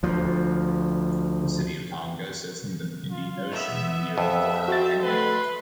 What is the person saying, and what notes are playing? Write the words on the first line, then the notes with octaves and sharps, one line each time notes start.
The city of Tanga sits on the Indian Ocean, near the border with Kenya.
D2 F3
F4
B3 E5
F2 E5
C4 F#4 A6
A3 B4 C6